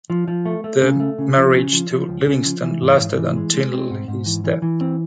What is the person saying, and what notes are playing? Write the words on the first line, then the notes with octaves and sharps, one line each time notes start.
The marriage to Livingston lasted until his death.
F3
F3
A3
A3
C#3
A3
C#3
F3
C#3
F3
F3
C#2
C#3
F3
E3
G#2
G#2
E3
G#3
G#3
C4
G#2
G#2
E3
E3
E3
C4